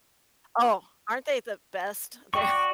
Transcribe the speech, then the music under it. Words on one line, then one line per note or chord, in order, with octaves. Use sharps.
Oh, aren't they the best? They're
F#4 D5 G5 C#6